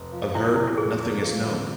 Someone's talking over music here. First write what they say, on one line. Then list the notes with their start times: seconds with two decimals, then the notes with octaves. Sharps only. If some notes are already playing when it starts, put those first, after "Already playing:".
Of her, nothing is known.
Already playing: F1
0.12 F3
0.34 C3 E4
0.46 E4
0.56 F2 E4
0.67 E4
0.78 F2 G#4
0.99 F2
1.21 F3 G#4
1.44 D3 F4